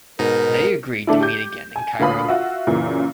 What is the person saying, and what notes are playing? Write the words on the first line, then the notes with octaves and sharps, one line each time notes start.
They agreed to meet again in Cairo.
G#2 B2 D#4 A#4
D3 A3 D4 E4
G4 G6
G#5
D2 A#2 B4 F5 B5 D#6
F4 F#4 E5
F#2 A#2 C#3 E3